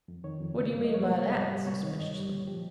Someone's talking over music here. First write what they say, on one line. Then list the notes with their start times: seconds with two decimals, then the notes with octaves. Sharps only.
"What do you mean by that?" suspiciously.
0.08 F2
0.24 D#3 C#5
0.41 F2
0.56 C#3
0.72 G2
0.84 F3 D#5
0.94 C#5
1.03 C3 C5
1.19 G3 C#5
1.35 G#2 D#5
1.52 G3
1.67 C3 C#5
1.83 D#3 C#5
1.99 G2 D#5
2.14 G3 C#5
2.31 A#2 C#5
2.47 F3 G4